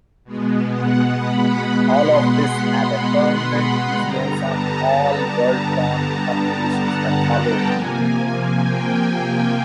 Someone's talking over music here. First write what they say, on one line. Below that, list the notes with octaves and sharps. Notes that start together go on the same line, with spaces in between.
All of this had a permanent influence on all Worldcon publications that followed.
B2 G#3 B3
F#5
B5
B5
C6
B5
B5
B5
G2 D3 G3 B3 A#5
A5
F#5
F#5
G5
C3 F3 A#3 G#5
G5
G#5
G#5